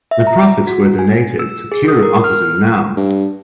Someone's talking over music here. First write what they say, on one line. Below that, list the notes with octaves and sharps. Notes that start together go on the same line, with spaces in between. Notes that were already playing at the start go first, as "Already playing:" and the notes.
The profits were donated to Cure Autism Now.
E5
A#5
F#4
G#5
E6
G#4
D#6
A#4
F6
G2